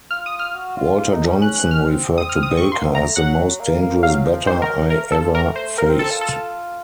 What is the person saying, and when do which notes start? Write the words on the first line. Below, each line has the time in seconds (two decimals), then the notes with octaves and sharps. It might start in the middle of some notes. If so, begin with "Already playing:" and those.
Walter Johnson referred to Baker as the most dangerous batter I ever faced.
0.11 F4 F6
0.26 D#6
0.39 F6
0.55 F#4
0.76 F4
0.99 F4
1.13 D#4
1.27 C#4
1.42 C#4 F#6
1.56 F#6
1.64 C#4
1.71 F6
1.85 C4
2.18 D#6
2.29 F6
2.43 D#6
2.57 C#6
2.72 A#3 C6
2.94 A3 A#5
3.16 F#3 F#5
3.60 A#3
3.82 A#3
4.03 F#3 F5
4.25 F3
4.47 D#3 C5
4.62 A#4
4.69 F#3
4.90 A3 A#4
5.05 A#3
5.12 A4
5.19 F3
5.34 A3 A#4
5.56 C5
5.78 A#3 A#4
5.89 C4
5.99 C4 A4
6.11 F4
6.21 A4